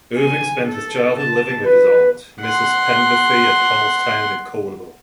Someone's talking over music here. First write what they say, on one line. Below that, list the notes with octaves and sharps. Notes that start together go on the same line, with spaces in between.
Irving spent his childhood living with his aunt, Mrs Penberthy, at Halsetown in Cornwall.
G#5
A4
A5
B4
F#5 C6